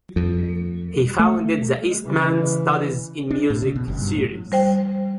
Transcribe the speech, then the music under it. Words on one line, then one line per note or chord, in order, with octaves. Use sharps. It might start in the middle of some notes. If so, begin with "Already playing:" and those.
He founded the "Eastman Studies in Music" series.
F2
A3
C#3 E3
D4
A2
C#3
B2
F#1
G2
A2
G3 C5 G5